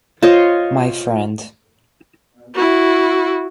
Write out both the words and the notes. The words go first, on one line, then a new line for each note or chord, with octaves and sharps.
My friend.
F4 C5 C#5 D#5
E4 F#4